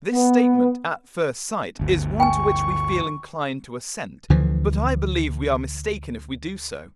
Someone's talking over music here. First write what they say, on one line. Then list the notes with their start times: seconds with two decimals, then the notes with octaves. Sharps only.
This statement, at first sight, is one to which we feel inclined to assent, but I believe we are mistaken if we do so.
0.13 B3
1.79 G1 D2
2.20 G5 G#5 C#6
4.30 D2 D3 E3 F3